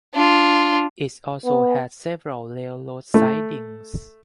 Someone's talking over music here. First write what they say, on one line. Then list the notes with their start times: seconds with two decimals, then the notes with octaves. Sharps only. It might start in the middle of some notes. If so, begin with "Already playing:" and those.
It also had several railroad sidings.
0.14 D4 F4
1.45 B3
3.14 A3